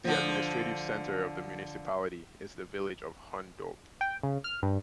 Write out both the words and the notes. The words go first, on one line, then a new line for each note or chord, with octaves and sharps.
The administrative centre of the municipality is the village of Hundorp.
D3 F3
G5
C#3
F6
G2